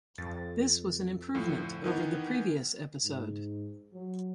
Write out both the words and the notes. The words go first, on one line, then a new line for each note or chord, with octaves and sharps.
This was an improvement over the previous episode.
F2 A6
D2 A2 F3
D#3 E3 B3
G#2
F#3